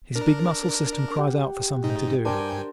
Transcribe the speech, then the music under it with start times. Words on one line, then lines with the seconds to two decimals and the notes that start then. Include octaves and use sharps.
His big muscle system cries out for something to do.
0.16 D4 A#4
1.18 G4 F#5
1.84 G#2 D#4
2.25 G2 D4 A#4 C5 G5 G#5